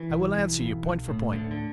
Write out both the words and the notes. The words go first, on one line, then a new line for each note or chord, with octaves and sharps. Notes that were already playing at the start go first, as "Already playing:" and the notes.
I will answer you, point for point.
Already playing: E3
B1
B1
B1
B1
A2
D2 D3
D3